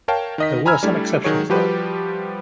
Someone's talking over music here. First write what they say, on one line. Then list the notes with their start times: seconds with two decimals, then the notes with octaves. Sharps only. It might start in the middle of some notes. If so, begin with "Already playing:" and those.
There were some exceptions though.
0.08 A#4 C#5 F5 G5 A5
0.38 D#3 D#5 B6
0.66 G#5 A#5 B5 E6 F6 G#6
0.83 G3 A3 D4 E4
1.24 D#3 F#3 F#4 G#4 C#5
1.50 F3 G3 F#4 G4 B4 C5